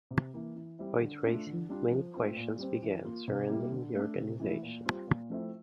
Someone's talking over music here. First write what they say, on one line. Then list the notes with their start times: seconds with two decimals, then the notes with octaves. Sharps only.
Foyt Racing, many questions began surrounding the organization.
0.11 C3
0.34 E3 A#3
0.56 E3
0.79 G3 C4 E4
1.01 D3
1.24 A3 D4 F4
1.46 D3
1.69 G3 D4 F4
1.91 F3
2.14 A3 C4 F4
2.36 A#2
2.59 G3 C4
2.82 E3
3.05 A#3 F4
3.28 C3
3.49 G3 A#3 E4
3.72 D3
3.95 A3 D4
4.18 C3
4.40 E3 A3 E4
4.63 A#2
4.85 G3 C4 F4
5.07 A#2
5.30 F3 A3 C4 E4